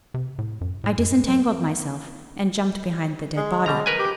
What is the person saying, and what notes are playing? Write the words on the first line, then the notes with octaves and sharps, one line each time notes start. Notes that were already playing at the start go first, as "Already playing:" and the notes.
I disentangled myself, and jumped behind the dead body.
C3
A2
F#2
A2
F#2
F#3
G#3
B2 G3 A#5
A#4 B4 G#5
G4